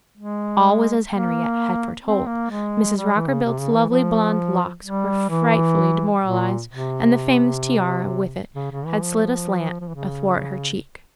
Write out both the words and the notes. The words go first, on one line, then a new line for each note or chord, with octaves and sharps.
All was as Henriette had foretold, Mrs. Rockerbilt's lovely blond locks were frightfully demoralized, and the famous tiara with it had slid aslant athwart her cheek.
G#3
A#3
C4
A#3
G#3
G3
E3
C#3
C3
C#3
E3
F3
G3
E3
A#2
C3
C#3
C#3
E3
F3
F3
E3
C#3